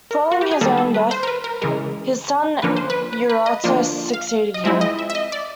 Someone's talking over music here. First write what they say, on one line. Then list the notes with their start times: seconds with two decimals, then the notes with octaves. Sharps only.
Following his own death, his son Eurotas succeeded him.
0.11 A#4
0.31 F#4
0.41 G4
0.51 G#4
0.61 D#3 G3 A#3 A4
0.78 A4
0.94 B4
1.11 C5
1.23 A#4
1.27 B4
1.44 A#4
1.62 C#3 E3 G#3 A#4
2.62 D3 F3 A#3 C#4 B4
2.77 C5
2.90 B4
3.13 B4
3.30 B4
3.46 D#5
3.64 D3 F3 A#3 D4 F4
4.13 F5
4.54 D#5
4.64 F3 G#3 C4 E4 E5
4.81 D#5
4.99 E5
5.10 E5
5.15 D#5
5.32 D5